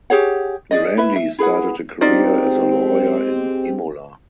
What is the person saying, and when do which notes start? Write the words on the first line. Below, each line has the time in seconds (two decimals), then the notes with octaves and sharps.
Grandi started a career as a lawyer in Imola.
0.10 G4 G#4 C#5 F#5
0.71 G#4 D5 D#5
0.97 E4 B4 E5
1.16 E5
1.38 E4 G#4 B4 F#5
2.01 G#3 C4 D#4 F4 G4 D5